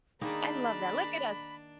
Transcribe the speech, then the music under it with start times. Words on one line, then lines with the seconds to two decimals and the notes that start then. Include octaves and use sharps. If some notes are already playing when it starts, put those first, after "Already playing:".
I love that. Look at us.
0.21 D#3 A#3 D4 D#4 G#4 F5 B5